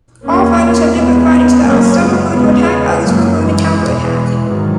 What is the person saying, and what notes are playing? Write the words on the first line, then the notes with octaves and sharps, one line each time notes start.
All fighters have different fighting styles, some prefer to attack, others prefer to counterattack.
E2 C#3 A#3 C#4
E2 C#3 G#3 B3
F#2 C#3 A#3 C#4
G#3 B3
E2 C#3 G#3 B3
F#2 C#3 F#3 A#3
E3 G#3
E2 B2
G#2 D#3 F#3